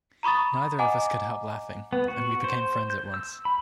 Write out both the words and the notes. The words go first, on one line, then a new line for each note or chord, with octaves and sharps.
Neither of us could help laughing, and we became friends at once.
A#5 B5 C#6 D#6 A6
D#5 F#5 G#5 A#5 D6
B3
F#4
C5
G6
E6
B5